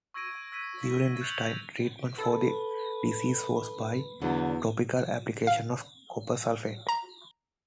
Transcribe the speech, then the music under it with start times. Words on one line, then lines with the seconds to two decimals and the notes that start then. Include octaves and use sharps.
During this time treatment for the disease was by topical application of copper sulfate.
0.14 C#6 E6 G#6 A#6 D7 D#7
0.52 E6 G#6 B6 D#7
1.21 F#6 G6 A6 C#7 F7 F#7
2.18 A4 B4
4.21 E2 D3 F#3 D4
5.47 F5
6.89 A#5